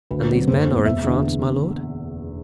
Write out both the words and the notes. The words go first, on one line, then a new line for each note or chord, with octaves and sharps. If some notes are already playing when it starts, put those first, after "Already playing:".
"And these men are in France, my lord?"
D2 B4
C3 F#3
F#1 C5
E2 C3
E1 E5
E2 D3